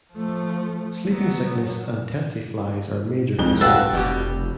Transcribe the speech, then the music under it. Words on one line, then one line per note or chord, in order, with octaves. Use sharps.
Sleeping sickness and tsetse flies are major concerns.
F3 A3
F#3 B3
C2 F2 G#2 G7
C4 F#4 A4 B4 F5 G5
F1 B2 G3 G4